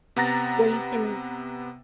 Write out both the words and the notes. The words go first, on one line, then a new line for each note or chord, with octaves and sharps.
where you can
C3 B3 F#5 A#5 A6 A#6